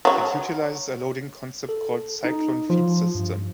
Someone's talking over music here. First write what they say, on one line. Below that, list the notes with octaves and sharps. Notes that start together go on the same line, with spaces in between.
It utilizes a loading concept called the "Cyclone Feed System".
F#3 C#5
A4
D#4
F3
G2